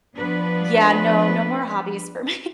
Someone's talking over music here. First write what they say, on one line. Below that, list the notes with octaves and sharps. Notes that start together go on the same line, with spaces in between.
Yeah, no, no more hobbies for me,
F3 B3 D4 B4